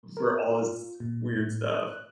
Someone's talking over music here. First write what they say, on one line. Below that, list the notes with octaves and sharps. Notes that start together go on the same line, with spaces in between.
for all this weird stuff.
A#4
F4
A#2
A2
F#6